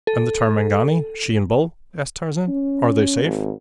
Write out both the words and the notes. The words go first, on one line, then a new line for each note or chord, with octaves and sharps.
"And the Tarmangani she and bull--" asked Tarzan, "are they safe?"
A4
C#4
G#1